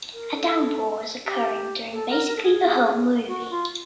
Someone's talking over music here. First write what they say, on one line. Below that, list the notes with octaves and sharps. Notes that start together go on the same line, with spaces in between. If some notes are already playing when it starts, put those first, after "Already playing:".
A downpour is occurring during basically the whole movie.
A#4
A4
G4
A4
A#4
A#4
A4
G#4
F#4
F4